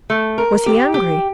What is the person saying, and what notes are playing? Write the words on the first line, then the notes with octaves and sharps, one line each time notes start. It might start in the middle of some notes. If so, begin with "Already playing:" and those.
Was he angry?
A3
A#4
G4
G4